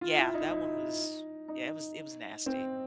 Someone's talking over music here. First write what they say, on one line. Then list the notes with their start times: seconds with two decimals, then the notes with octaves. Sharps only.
Yeah, that one was yeah, it was it was nasty.
0.01 F4
0.18 E4
0.34 D#4
0.50 D#4
1.48 D#4
2.46 C4